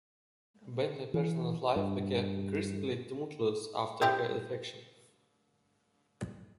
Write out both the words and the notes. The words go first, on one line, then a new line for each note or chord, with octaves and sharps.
Bentley's personal life became increasingly tumultuous after her defection.
E3
G2
C4 E4 G4